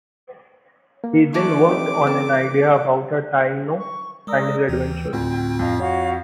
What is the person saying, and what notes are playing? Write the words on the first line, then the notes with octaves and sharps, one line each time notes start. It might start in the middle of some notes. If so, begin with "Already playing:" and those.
He then worked on an idea about a Taino and his adventures.
A#3
E3 A3 D4 D6
C4 D#4 G4
C4 A#4 A5
C#6
G#3 A#4 D5 D#6 E6
D#2 E3 G5
D2 A2 C4 F4
F2 D#5 F5
F#4 C#5 F5